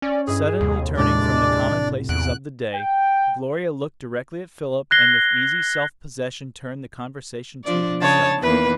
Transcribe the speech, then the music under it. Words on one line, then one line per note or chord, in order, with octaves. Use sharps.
Suddenly turning from the commonplaces of the day, Gloria looked directly at Philip, and with easy self-possession turned the conversation to himself.
C#4 D5
G2 E4 G#4 D#5
F1 D#2
C2 A2 G#3 D4 D5
E2 F#5 F#6 D7
G5
F#6 G#6 A#6 C7 G7
F3 D4 D5
C#3 C#5 A5
E2 D#3 A#3 B4